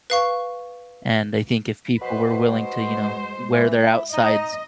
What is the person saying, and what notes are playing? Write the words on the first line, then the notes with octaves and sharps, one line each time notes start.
And I think if people were willing to, you know, wear their outsides
B4 F5 C#6
B2 B4 C5
G#3 C5
E3
E4
D#4 D#5